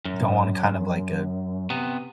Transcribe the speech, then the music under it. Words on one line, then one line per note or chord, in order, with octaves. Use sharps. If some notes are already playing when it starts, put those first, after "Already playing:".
go on kind of like a
F#2
C3 B3